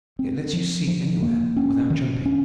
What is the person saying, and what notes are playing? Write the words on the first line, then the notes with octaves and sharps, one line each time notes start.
It lets you see anywhere, but without jumping.
C4
F3
F3
A#3
C#4
D#3
C#4